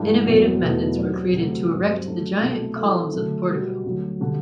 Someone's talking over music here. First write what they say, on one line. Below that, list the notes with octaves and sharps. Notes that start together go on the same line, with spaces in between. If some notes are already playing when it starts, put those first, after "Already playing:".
Innovative methods were created to erect the giant columns of the portico.
Already playing: G2 E3 A3 D4 G4
E2 B2 F#3 C4
E2 B2 A3 E4 B4
F#3 C4 G4 D5
D2 C3 F#3
G2 F#3 C4 G4
F#3 A3 D4
C2 B2 A3
F#3 C4 E4 A4 E5
D3 F#3 A3
B2 G3 B3 F#4
D2 D3 F#3
D3 G3